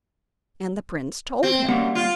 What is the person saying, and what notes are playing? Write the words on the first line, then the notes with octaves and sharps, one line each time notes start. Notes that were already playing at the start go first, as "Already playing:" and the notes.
And the prince told him.
C4
F#2 G3 A#3 F#5
F4